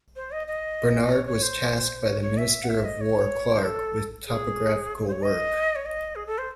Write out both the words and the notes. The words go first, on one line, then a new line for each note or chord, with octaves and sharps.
Bernard was tasked by the minister of war Clarke with topographical work.
C5
D#5
D#5
D#5
C#5
C#5
C5
C#5
C#5
E5
F#5
E5
D#5
C#5
C5
A4
G#4
C#5
C5
C#5
D#5
C#5
D#5
G#4
A4
C5